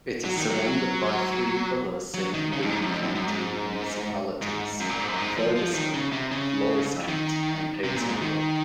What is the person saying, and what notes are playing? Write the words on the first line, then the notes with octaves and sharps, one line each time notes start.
It is surrounded by three other Saint Louis County municipalities: Ferguson, Florissant, and Hazelwood.
F#3
D#3
F#3
G#3
F#3
F#3
D#3
C#3
F2
G#2
F#2
F2
F#2
F#2
G#2
G#2
F#2
A#2
G#2
F#2
G#2
F3
F3
D#3
C#3
C3
C#3
D#3
C3
A#2
G#2
D#3